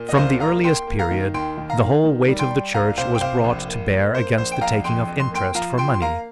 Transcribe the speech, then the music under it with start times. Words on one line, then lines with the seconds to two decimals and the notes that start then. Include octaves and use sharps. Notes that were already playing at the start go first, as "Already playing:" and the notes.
From the earliest period the whole weight of the Church was brought to bear against the taking of interest for money.
Already playing: A#2
0.09 D#5
0.17 C2 C5 F5
0.40 A#3 F5 A#5
0.64 A#3 G5 C6
0.87 A#3
0.99 F5 A#5
1.11 D#3
1.34 D#2 G5 C6
1.58 D#3
1.70 F5 A#5
1.80 D#3
2.04 D#3
2.28 G3
2.39 G5 C6
2.51 G3
2.74 C2 F5 A#5
2.98 C3 C5 F5
3.15 G5
3.21 C3 C5 F5
3.44 A#1
3.68 A#3
3.91 A#3
4.15 A#3 C5
4.38 A#1 C5
4.52 G5
4.61 A#1 F5 A#5
4.84 F2 G5 C6
5.08 F2
5.20 C6
5.31 A#3 G5 C6
5.54 F3 F5 A#5
5.78 F3 G5 C6
5.94 C6
6.01 A#3 F5 A#5